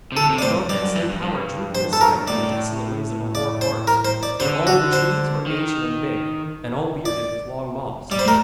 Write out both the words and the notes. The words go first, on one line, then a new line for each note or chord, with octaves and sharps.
But he felt that some power drew him aside through the desolate ways of a hoar forest, where all the trees were ancient and big, and all bearded with long moss.
C3
D3 A4
C3
D5
A2 C5
G2
G2 D5
F#2
G2
G2
G2
C5
A4
A#4
A2 D5
D5
C5
A#4
C5
D5
D3 C5
F#4
C5
D#3
D5
G3 D5
C5
A3 A#4